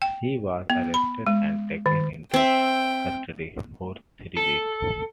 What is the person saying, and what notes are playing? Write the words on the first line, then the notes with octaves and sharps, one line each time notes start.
He was arrested and taken into custody for three weeks.
G5
B3
B5
G#3
D#3
C4 E5 G5
A4